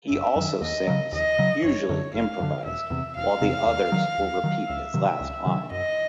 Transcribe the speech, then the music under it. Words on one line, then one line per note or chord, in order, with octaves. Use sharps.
He also sings, usually improvised, while the others will repeat his last line.
F#1 E5
F#2
D#3
D#2 D#5
C#3 F#3
D#2 D#5
C#3 F#3
F#1 C#5
F#2 D3
F#1 F5
F#2 D3
E1 E5
E2 C3
E1 F5
E2 C3
D#2
D#3 F#3
D#2
D#3 F#3
C#2 E5
C3 D#3 F#3
C#2
C3 D#3 F#3
F#2 D#5